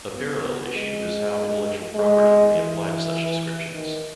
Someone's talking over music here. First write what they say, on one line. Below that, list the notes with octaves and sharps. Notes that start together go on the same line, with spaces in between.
A parallel issue is how intellectual property may apply to such descriptions.
B3
G#3
G#3
E3
D#3